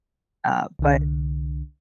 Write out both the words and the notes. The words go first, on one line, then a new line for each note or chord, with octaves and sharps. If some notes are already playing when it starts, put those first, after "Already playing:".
uh, but.
C2 D3